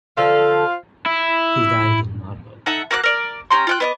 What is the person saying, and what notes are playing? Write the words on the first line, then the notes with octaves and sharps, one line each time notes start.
He died in Marburg.
D3 F3 F4 A4 C5 F5
E4
D#4 A4 E5 F#5
A#3 F#4 D6 F#6
A#4 D5
C#4 G4 A#5 C6
F4 G5 F#6
B3 D#5 D6